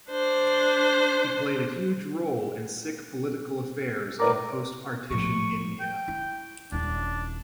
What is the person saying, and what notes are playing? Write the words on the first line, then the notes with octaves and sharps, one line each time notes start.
He played a huge role in Sikh political affairs in post partition India.
D4 C5
A2 A#4 B4 D5 A#5 D6
A2 F3 C#6
G5
E4
D#1 D4 E4